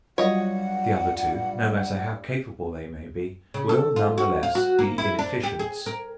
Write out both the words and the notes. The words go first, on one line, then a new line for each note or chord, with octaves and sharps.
The other two, no matter how capable they may be, will none the less be inefficients.
G2 F#3 G3 F4 C#5 D#5 F#5
C#3
A4
F4
F#4
F5
F#4
A#3
E4
D4
G4
G#4
A#4